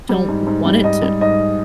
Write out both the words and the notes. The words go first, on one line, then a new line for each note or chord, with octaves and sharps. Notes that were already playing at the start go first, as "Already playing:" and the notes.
don't want it to.
G3
G#2
G#2
G3
G#2 D#5
G3
G#2 D#5